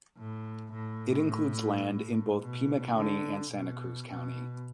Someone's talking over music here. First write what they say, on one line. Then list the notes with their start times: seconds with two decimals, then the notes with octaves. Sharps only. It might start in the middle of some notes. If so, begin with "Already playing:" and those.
It includes land in both Pima County and Santa Cruz County.
0.18 A2
0.72 A2
2.40 B2
2.95 D3
3.51 B2
4.07 B2